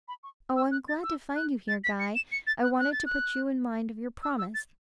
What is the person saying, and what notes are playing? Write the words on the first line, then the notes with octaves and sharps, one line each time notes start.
'Oh, I am glad to find you here, Guy; I wanted to put you in mind of your promise.
B5
C#6
E6
F#6
A6
E6
F#6
A6
B6
C#7
E7
C#7
A6
F#6
F#6
A6
F#6
E6
E6
A6